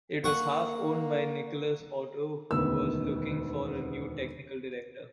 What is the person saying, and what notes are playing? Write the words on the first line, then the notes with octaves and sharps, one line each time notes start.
It was half-owned by Nikolaus Otto, who was looking for a new technical director.
A#3 F#5 C#6
E1 D2 D#3 B3 E6